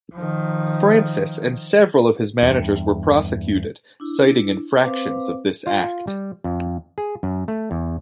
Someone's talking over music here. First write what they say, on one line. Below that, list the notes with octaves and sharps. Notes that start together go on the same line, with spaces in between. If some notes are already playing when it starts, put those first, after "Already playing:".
Francis and several of his managers were prosecuted, citing infractions of this act.
D#3 F3
E2 G2
D4 E4
C4 B4 C5 F5 D6
F4
G3
F2
G#4
F#2
A3
E2